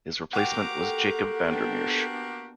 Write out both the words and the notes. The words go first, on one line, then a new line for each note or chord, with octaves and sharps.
His replacement was Jacob van der Meersh.
A#3 F#4 G4 F#5 G5 A#5 D6
A4
B3 D4